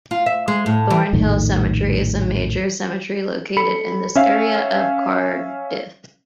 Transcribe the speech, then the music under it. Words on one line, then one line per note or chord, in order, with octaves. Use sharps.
Thornhill Cemetery is a major cemetery located in this area of Cardiff.
F4
E5
G#3
A2
E3
A#1 F2 A2 D#3
A4 B5 C#7
C#4 E5 F5